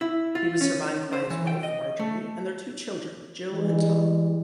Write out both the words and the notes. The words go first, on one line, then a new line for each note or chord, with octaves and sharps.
He was survived by his wife, Marjorie, and their two children, Jill and Tom.
E4
F4
C#4
C5
E3
G5
D#5
A3
E3 G3 G#3